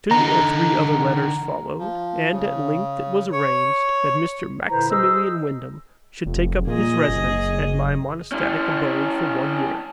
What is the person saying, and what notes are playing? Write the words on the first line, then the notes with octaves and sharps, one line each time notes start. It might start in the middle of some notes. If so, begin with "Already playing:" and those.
Two or three other letters followed; and at length it was arranged that Mr. Maximilian Wyndham should take up his residence at my monastic abode for one year.
D3 D#4 A#5
F3
C#3
C#5
A#2 D3 E4 B4 C5 A#5
G#4 C5 D#5 E6
F1
A#2 G#4 D#5
F#1
C#4 E4